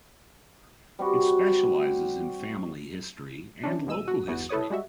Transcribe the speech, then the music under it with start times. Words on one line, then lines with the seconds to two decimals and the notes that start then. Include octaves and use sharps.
It specialises in family history and local history.
0.99 G3 C4 F#4
3.63 E3 C#4 D4
3.87 D#2 B2 G#3 E6 D#7
4.08 F#4
4.27 G1 E2 B3 F#4
4.49 E4 A4 B4 C#5 D#6
4.70 G3 G#3 F#4 E5